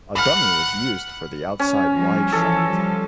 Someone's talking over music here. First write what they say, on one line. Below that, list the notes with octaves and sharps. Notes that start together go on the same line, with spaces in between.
A dummy was used for the outside wide shot.
F#5 B5 F6
C#4
F3 G3
E3 F3 A4
F3 G3